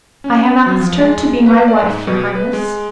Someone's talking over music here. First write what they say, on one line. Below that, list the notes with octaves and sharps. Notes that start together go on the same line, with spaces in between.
"I have asked her to be my wife, your highness."
C#4
F#3
F3
G#3
B4
D5
G#2
B2
B4
G#3